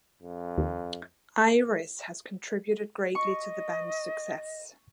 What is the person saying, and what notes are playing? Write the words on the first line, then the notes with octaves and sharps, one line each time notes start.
"Iris" has contributed greatly to the band's success.
F2
D#2
D#5 C#6